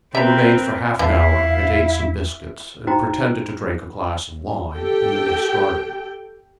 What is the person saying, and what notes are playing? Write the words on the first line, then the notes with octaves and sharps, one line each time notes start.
They remained for half an hour, and ate some biscuits and pretended to drink a glass of wine, and then they started.
C4 A#4 B4 E5 A#5
E2 E3 B3 E4 A4 E5 F5
D#4 E4 F#4 C5 G5 A#5
G4 A4 G5